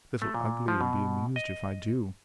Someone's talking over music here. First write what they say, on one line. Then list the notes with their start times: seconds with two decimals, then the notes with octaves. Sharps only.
Little Ugly will be amused, if I do.
0.22 A3
0.34 A#2
0.68 F3
0.81 B2
1.36 D#5